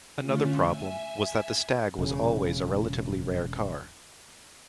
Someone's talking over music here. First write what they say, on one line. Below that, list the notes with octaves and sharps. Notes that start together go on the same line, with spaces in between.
Another problem was that the Stag was always a relatively rare car.
D3 A3 C#4 F4
E5 G#5
E1 C#3